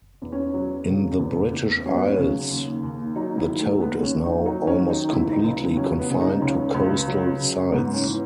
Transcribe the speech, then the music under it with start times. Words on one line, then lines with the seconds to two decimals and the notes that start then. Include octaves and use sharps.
In the British Isles the toad is now almost completely confined to coastal sites.
0.22 E2
0.32 C#4
0.54 F#3
0.87 C#3
1.19 E2
1.53 E2
1.86 F#3 C#4
1.95 B3
2.06 C#4
2.18 C#3
2.50 D#2
2.83 D#2
3.15 F#3 D#4
3.37 E4
3.49 D#3
3.60 A3
3.80 D#2 B3
4.03 C#4
4.13 D#2
4.25 D#4
4.46 F#3 D#4
4.67 C#4
4.79 D#3
4.90 D#4
5.11 C#2 E4
5.33 D#4
5.44 C#2
5.76 F#3 C#4
5.99 B3
6.10 C#3
6.20 D#4
6.41 C#2 C#4
6.74 C#2
7.07 F#3
7.39 C#3
7.72 G#2 B3
7.94 C#4
8.05 E3